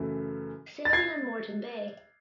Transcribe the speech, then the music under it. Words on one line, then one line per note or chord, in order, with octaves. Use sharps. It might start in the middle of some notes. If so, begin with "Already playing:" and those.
Sailing on Moreton Bay.
Already playing: F#2 C#3 E3 A3
A6
G#6 C7